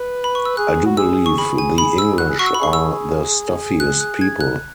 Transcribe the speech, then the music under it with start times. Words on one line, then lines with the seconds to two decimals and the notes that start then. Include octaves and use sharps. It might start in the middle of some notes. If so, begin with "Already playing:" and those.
I do believe the English are the stuffiest people!
Already playing: B4
0.24 B5
0.35 C#6
0.45 E6
0.57 G#4 F#6
0.86 F#4
0.97 G#4 E6
1.26 C#6
1.38 G#4 B5
1.58 G#5
1.78 B5
1.98 E6
2.18 F#4 F#6
2.29 G#4
2.39 F#4 C#6
2.46 E6
2.54 B5
2.59 G#4 C#6
2.73 E6
3.80 F#6
4.01 F#6
4.21 G#6
4.41 F#6